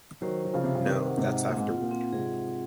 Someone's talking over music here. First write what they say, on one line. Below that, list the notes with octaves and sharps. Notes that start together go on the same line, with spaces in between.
No, that's afterward.
D#3 F#3 C5
F#3 C5
C#3 F3
C3 C5
C#3
C3 D#3 D#4
F#5
G#2 C3
F#5
A#2 C4
G#2
A#2 F4
A#2
C4
G#2 C3 G#4
G#4